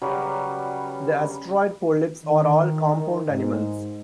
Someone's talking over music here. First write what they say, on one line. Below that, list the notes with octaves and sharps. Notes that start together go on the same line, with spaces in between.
The asteroid polyps are all compound animals.
C#3 F#3 G3 B4
D#3
G#2